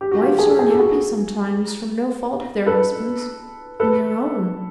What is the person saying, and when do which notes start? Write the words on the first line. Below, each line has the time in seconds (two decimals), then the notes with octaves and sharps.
"Wives are unhappy sometimes; from no fault of their husbands--from their own."
0.01 G4
0.12 F#4
0.21 F4 G4
0.39 G#4
0.49 A4
0.59 G#4
0.70 A4
0.79 F#4 G#4
2.66 A4 B4
3.80 A4 B4